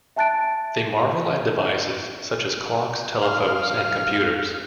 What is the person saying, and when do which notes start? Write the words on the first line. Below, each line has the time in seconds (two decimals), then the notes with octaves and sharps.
They marvel at devices such as clocks, telephones and computers.
0.16 E5 G#5 A5 F#6 A6 D7
3.22 F5